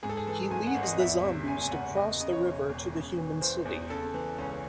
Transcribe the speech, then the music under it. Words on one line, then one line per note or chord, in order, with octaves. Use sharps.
He leads the zombies to cross the river to the human city.
G#2 G#4
A4
G#4
E3 A4
G#1 G#5
F#5
G#1
D#5
E2 E5
C3
F#1 G#5
G#5
F#1 F#5
E2 D#5
C#3 D#5
C#5
E1
E1
C#3
E3
E2 C5
E2
C#3 A4
E3
C#2 C#4